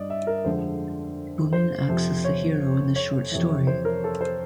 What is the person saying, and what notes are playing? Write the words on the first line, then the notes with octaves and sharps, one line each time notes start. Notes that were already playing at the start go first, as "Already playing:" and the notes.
Bumin acts as the hero in this short story.
Already playing: G2 D5 D#5
E5
A#4
F2 D3 F3 G#3 C5
C5
F2 C3 F3
C#5
C#5
F2 C3 E3
C5
A#4
A4
C5